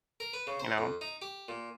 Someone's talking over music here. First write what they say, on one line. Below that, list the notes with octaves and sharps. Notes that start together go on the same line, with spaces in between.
You know?
A#4
B4
C#3
C5
F2
D#4
G4
A#2